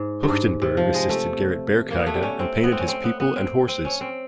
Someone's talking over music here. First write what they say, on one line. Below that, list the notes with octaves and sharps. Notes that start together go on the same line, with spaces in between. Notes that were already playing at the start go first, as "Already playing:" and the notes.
Huchtenburg assisted Gerrit Berckheyde and painted his people and horses.
Already playing: G#2
G2
G#2
C3
F3
G#3
A3
A#3
B3
A3
G3
C#4
C4
B3
C4
C#4
C4
B3
B3
C4
C4
C#4
C4